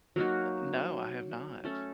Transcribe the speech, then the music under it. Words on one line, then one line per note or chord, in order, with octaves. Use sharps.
N no, I have not.
F#3 A#3 D#4 F#4
A3 C#4 A4